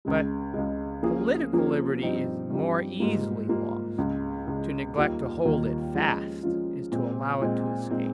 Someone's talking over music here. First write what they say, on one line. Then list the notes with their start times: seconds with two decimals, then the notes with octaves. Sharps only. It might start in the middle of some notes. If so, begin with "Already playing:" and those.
But political liberty is more easily lost; to neglect to hold it fast is to allow it to escape.
0.05 C#2 C#3 G#3
0.54 C#2 C#3 G#3
1.03 F3 A#3 C#4 F4 G#4
1.53 F3 A#3 C#4 F4 G#4
2.02 G2 F3 C4 D#4 G4
2.50 G2 F3 C4 D#4 G4
3.00 G#2 G3 A#3 F4
3.48 G#2 G3 A#3 F4
3.98 C#2 C#3 G#3
4.47 C#2 C#3 G#3
4.96 D#2 D#3 G3 A#3 F4
5.45 D#2 D#3 G3 A#3 F4
5.95 F3 G#3 C#4 F4
6.43 F3 G#3 C#4 F4
6.92 A#2 G#3 C4
7.42 A#2 G#3 C4
7.90 A#2 G#3 C4 D#4